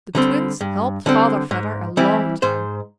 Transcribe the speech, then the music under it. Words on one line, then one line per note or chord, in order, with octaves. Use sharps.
The Twins helped Father Vedder a long time.
D3 G3 C4
G2
D3 G3 C4
G#2
E3 G3 C4 E4
G#2 C5